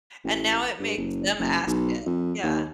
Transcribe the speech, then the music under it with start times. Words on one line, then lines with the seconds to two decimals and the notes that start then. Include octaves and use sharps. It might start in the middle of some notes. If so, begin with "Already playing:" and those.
And now it makes them ask it. Yeah.
0.24 A1
0.80 G2
0.97 F#1
1.39 F#1
1.67 B1
2.06 F2
2.43 D#2